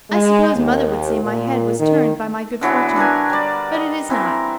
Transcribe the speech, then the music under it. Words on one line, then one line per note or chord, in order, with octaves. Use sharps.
I suppose mother would say my head was turned by my good fortune, but it is not.
G#3
D#2
A#2
D#3
D3 E3 F#3 B3
D4 A#4 B4 G#5
G3 D5
D#5
E3 C4 A#4